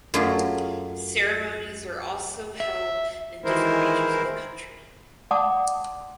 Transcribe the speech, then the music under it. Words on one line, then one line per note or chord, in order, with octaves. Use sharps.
Ceremonies are also held in different regions of the country.
F#2 F#3 A3 F4 G#4
E5
D#3 E3 G#3 E4 A#4 C5
D5 F#5 A5 C6 D6 D#6